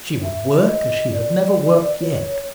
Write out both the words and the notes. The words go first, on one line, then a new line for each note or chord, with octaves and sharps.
She would work as she had never worked yet.
E5
E5
D#5
D5
C#5